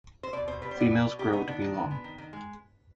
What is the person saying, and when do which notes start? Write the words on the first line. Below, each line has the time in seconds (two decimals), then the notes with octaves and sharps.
Females grow to be long.
0.23 C5
0.33 B2 D5
0.48 B2 C5
0.62 G3 B4
0.71 C5
0.77 B3 D5
0.90 B2
1.05 B2
1.19 G3 G4
1.33 B3 D#4
1.47 D#3 D4
1.62 D#3
1.75 G#3
1.91 B3
2.04 D#3
2.18 D#3
2.33 G#3